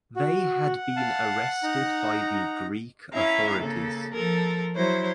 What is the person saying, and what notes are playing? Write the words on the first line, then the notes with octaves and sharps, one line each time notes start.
They had been arrested by the Greek authorities.
F#4
F#5
F5 A5
D#4 A#5
C#4 E4 E5 F5 A#5
C#3 A#3 A4
F3 A4 A#4
F#3 E4 C5 C#5